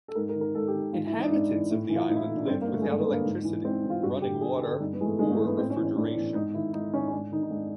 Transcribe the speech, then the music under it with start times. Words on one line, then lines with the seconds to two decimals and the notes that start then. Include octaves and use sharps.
Inhabitants of the island lived without electricity, running water or refrigeration.
0.08 A4
0.15 G#2 A#4
0.29 A#4
0.35 D#3
0.41 A#4
0.55 G#2 A4
0.68 G4
0.74 D#3
0.93 G#2 F4
1.07 E4
1.12 E3
1.19 D#4
1.27 D4
1.32 G#2 D#4
1.51 E3
1.70 A2 E4
1.89 E3 E4
1.96 F4
2.09 A2 D#4
2.16 E4
2.22 D#4
2.29 E3
2.36 D4
2.47 G2 C4
2.62 A#3
2.67 D3
2.74 A3
2.82 G#3
2.86 G2 A3
3.00 B3
3.06 D3
3.13 A#3
3.26 G#2
3.44 E3
3.64 G#2 C4
3.84 E3
3.90 F4
4.02 G2 F#4
4.22 D3 G4
4.41 G2 G#4
4.61 D3 A4
4.80 G2 D#4
4.93 B3
5.00 E3 G#3
5.05 A3
5.19 G2 G#3
5.26 A#3
5.32 A3
5.39 E3
5.45 B3
5.58 A2 C4
5.70 C#4
5.76 E3
5.84 C#4
5.96 A2 D4
6.16 E3
6.35 G#2 D#4
6.54 D#3 E4
6.73 G#2 D#4
6.93 D#3 C#4
7.08 C#4
7.13 G#2 D4
7.32 D#3 D#4
7.43 D#4
7.51 G#2 D4